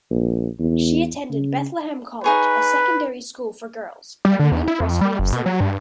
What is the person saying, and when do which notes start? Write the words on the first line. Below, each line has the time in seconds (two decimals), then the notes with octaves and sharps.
She attended Bethlehem College, a secondary school for girls, and the University of Sydney.
0.11 A#1
0.59 E2
1.30 C#3
2.24 D#4 G#4 B4 C#5
4.25 G3
4.39 D3
4.52 E2
4.68 E4
4.80 F2
5.01 G3
5.19 F#1
5.33 B2
5.46 F#3
5.60 G2